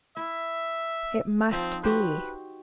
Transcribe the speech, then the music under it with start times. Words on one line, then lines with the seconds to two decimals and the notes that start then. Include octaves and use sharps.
"It must be."
0.17 E4 E5
1.51 F3 C4 D#4
1.83 F#4 G4 B4 C5